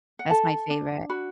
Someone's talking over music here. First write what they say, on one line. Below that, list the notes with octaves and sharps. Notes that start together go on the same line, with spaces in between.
That's my favorite.
F#5
A4 A5
D4
F#4 B5